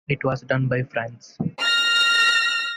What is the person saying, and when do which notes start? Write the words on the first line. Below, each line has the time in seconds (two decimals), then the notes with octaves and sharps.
It was done by France.
1.61 F6 A#6